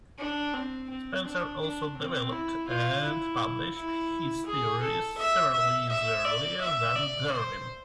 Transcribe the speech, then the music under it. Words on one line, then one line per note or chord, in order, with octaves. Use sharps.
Spencer also developed and published his theories several years earlier than Darwin.
D4
C4
C4
D4
D4
C4
E4
F4
E4
E4
G#4
A4
E5
E5
E5
D5
E5
D5
C5